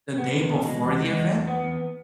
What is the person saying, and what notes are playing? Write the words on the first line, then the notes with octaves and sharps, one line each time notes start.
the day before the event,
B3
E2
B2
G#3
E2
G#3
E2
E2
B3
E2